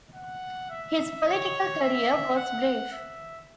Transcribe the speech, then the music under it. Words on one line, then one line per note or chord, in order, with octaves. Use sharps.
His political career was brief.
F#5
E5
C#5
E5
F#5
E5